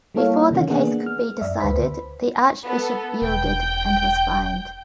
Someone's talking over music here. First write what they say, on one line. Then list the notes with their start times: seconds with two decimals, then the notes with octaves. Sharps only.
Before the case could be decided, the archbishop yielded and was fined.
0.15 G3 A#3 E4 A4 C#5 F5
0.51 C3 D#3 E3 C#4
0.68 A#3 B3 D4 G#4 F#5
1.06 F6
1.41 F#2 D5 E5
1.60 D2 B4 C5 B5 B6
2.65 B3 A4
3.22 E1 G5 G6